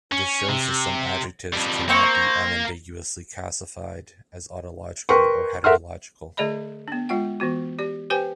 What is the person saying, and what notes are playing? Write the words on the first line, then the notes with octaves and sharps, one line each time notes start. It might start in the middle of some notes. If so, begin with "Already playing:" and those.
This shows that some adjectives cannot be unambiguously classified as autological or heterological.
C#4
C3
F2 G3
A#3 C4 C5 C#6
A#4 B4 G5 C6 C#6
A4 A#4 E5 F#5 C6 F6
D3 A3 G#4 D5 D#5 B5
B3 D4
G#3 F4 F#5 G5
E3 B3 F#4
G4 D5
G4 B4 C5 G5 G#5